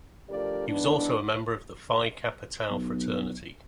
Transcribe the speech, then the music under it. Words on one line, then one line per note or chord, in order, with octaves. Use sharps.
He was also a member of the Phi Kappa Tau fraternity.
F3 A3 D4 G4 A#4 D5
G#2 E3 B3 D4
B1